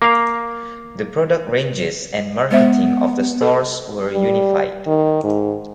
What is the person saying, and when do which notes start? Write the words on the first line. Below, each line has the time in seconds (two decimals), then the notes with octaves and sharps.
The product ranges and marketing of the stores were unified.
0.02 A#3 F5
2.51 G#3 B3 C5 E5
3.41 A4
4.13 G3
4.87 D#3
5.24 G#2